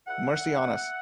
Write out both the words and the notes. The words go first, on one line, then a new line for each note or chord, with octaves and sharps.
Mercy on us!
C#2 E5 F#5
C#3 E3